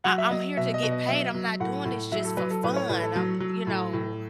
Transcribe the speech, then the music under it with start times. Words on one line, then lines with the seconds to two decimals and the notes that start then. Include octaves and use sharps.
I I'm here to get paid. I'm not doing this just for fun. I you know?
0.04 F#3 F#5
0.18 E5
0.30 F#3 D#5
0.57 B2 E5
0.74 D#5
0.83 B2
0.91 D#5
1.08 F#3 E5
1.34 F#3
1.60 A2 F#5
1.85 A2
2.12 F#3 E5
2.25 A4
2.37 F#3 B4
2.51 A4
2.63 A2 B4
2.76 C#5
2.89 A2 B4
3.03 A4
3.16 F#3
3.40 F#3
3.67 A2
3.93 A2